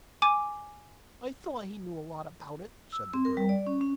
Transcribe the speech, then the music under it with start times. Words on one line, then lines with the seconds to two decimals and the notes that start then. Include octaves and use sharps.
"I thought he knew a lot about it," said the girl.
0.22 G#5 D6 D#7
2.92 E6
3.14 C4
3.25 A#4
3.37 G3
3.49 D5
3.67 C#4
3.81 C#4